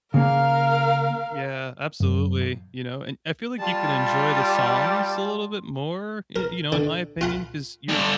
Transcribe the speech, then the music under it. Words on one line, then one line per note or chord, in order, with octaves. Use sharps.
Yeah. Absolutely, you know? And I feel like you can enjoy the songs a little bit more, y you know, in my opinion, 'cause you're
C#3 A#3 A#4 F5 A#5
F#2
G3 F4 A5
A#4
D3
F4 F#5 B5
G2 D3